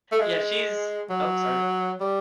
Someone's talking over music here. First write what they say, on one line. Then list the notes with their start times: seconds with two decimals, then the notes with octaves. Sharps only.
Yeah, she's ope, sorry.
0.12 A3
0.20 G#3
1.10 F#3
2.01 G3